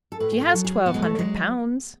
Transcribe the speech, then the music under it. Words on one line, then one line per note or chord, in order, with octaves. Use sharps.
"She has twelve hundred pounds."
A4
A2 B4
G#4
A4
F#3
G#4
B2 B3
G#3
A3
F#3 G#3